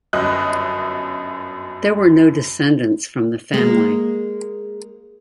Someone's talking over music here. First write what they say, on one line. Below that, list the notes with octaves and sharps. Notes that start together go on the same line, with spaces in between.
There were no descendants from the family.
G1 F#2 D#5 F#6
G#3 A#3